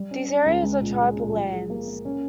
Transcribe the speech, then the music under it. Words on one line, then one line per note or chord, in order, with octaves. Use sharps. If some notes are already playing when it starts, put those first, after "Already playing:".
These areas are "tribal" lands.
Already playing: G3
C#4
C#4
C#2
G#3
A#2
G#3
A#2
F3
G#4
A#3
A#3
C#4